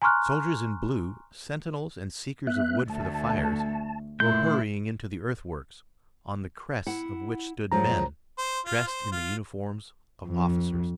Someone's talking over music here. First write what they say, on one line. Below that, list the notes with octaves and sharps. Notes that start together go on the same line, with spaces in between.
Soldiers in blue, sentinels and seekers of wood for the fires, were hurrying into the earthworks, on the crests of which stood men, dressed in the uniforms of officers.
G#5 A#5 C6 C#6 F6 F#6
B3 E5 F#6
D2 A3 A5
A#2 A3 E4 C6 G6
E4 F#5
F#2 F3 G#3 A#5
C5
F4
C5
F4
F2